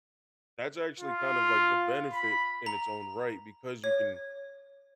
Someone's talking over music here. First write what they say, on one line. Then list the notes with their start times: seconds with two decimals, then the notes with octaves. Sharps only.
That's actually kind of like the benefit in its own right because you can
1.00 F4
2.13 B5
2.66 A#5
3.84 C#5